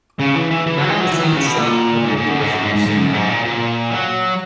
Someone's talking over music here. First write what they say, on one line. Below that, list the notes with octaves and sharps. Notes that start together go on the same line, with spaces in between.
The magazine stopped publication soon after.
C#3
E3
E3
E3
F#3
G#3
F#3
E3
D#3
C#3
B2
A#2
G#2
G#2
F#2
G#2
F#2
G#2
G#2
G#2
F#2
G#2
A#2
A#2
F#3